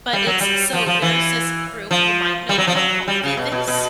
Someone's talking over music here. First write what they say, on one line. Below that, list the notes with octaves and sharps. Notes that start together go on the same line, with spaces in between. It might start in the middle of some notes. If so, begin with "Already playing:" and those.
but it's so, there's this group, you might know of ‘em, called Vivis.
G3
F#3
G3
F3
F3
E3
F3
G3
F#3
F3
F#3
G3
C#3
B2
B2
B2